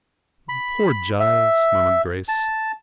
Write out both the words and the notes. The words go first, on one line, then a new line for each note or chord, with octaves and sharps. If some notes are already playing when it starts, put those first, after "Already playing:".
"Poor Giles!" murmured Grace.
B5
E5
A5